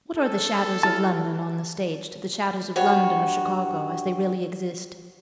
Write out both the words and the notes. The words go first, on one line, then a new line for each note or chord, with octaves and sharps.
What are the 'Shadows of London' on the stage to the shadows of London or Chicago as they really exist?
A4
E4 G4 A5 F6
G2 F#4 C#5